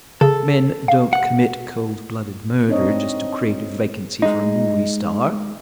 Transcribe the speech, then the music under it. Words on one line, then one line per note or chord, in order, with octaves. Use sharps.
Men don't commit cold-blooded murder just to create a vacancy for a movie star.
C#3 A4
F5
F#5
C4 D4 D#4 C#5 D#5
G#3 D#4